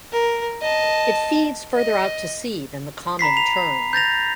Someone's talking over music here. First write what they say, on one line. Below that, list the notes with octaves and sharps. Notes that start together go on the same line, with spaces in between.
It feeds further out to sea than the common tern.
A#4
D#5 A5
D#5
A#5 B5 B6 C7
F7
G6 A6 A#6 F7